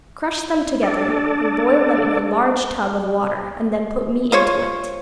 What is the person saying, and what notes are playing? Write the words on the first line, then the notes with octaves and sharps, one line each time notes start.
Crush them together and boil them in a large tub of water, and then put me into it.'
D4 A4 D5
F4 C5 C#5